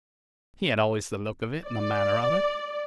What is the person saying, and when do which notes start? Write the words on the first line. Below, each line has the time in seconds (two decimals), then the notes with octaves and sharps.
'He had always the look of it, and the manner of it.'
1.66 D5